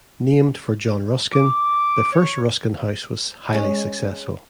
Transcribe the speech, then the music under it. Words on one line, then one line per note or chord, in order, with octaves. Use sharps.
Named for John Ruskin, the first Ruskin House was highly successful.
D6
C#5
G#3 C#4